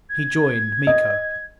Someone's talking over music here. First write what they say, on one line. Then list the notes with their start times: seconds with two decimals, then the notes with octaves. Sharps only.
He joined Miko.
0.10 G#6
0.87 D#5